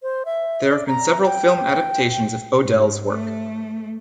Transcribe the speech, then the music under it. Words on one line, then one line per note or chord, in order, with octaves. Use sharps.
There have been several film adaptations of O'Dell's work.
C5
E5
D5
A#5
G5
G#2
A3